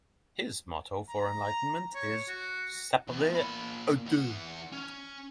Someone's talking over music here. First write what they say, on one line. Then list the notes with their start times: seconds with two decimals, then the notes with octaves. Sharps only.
His motto for enlightenment is Sapere aude!
1.09 A#5
1.95 C#5
2.29 F#4
3.08 E2
3.31 A#2 B5
4.06 E2 F#5
4.72 C#4